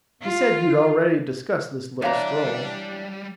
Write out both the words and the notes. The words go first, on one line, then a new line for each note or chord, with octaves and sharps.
"He said you'd already discussed this little stroll."
F4
E3 G3 D4 C#5 D5 F5 A#5 B5